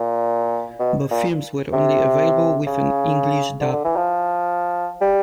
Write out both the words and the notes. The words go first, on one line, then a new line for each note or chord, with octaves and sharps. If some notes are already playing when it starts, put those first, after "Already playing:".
Both films were only available with an English-dub.
Already playing: A#2
B2
A#2
C3
C#3
D3
D3
E3
F3
G3